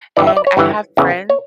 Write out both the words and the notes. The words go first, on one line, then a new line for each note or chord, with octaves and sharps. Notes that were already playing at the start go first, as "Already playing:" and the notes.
and I have friends
G1 G2 E3 D5
E5
D5
C#5
G1 G2 E3
E2 C#3 E3
C#5